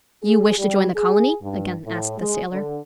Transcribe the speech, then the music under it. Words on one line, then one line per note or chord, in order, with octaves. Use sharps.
"You wish to join the colony?" again asked the sailor.
G#4
G3
G#4
G2
A2
G#3
D3